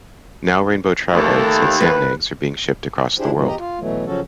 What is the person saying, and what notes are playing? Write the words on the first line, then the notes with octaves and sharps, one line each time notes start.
Now rainbow trout eggs and salmon eggs were being shipped across the world.
D#2 A3 A4
B4
D4 E4 G4 G#4 C5
G#2 B2 E3 F#3
E2 G4 D#5 A#5
F4
B2 E3 F#3 A3
C#3 F3 F#3 C#4 F#4 A4